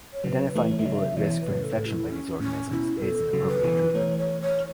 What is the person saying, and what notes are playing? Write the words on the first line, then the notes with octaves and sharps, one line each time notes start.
Identifying people at risk for infection by these organisms aids in appropriate treatment.
C#5
C#3 F#3 B4
B4
E3 A3
C#5
A3 E5
C#3 F#3 C#5
E5
B2 E3 C#5
B4
A2 C#3
A4
A2
E4
C#4
A2 C#4
B2 E4
B4
B2 A4
C#3 F#3
B4
B2 E3
E3 A3 C#5
C#5
C#5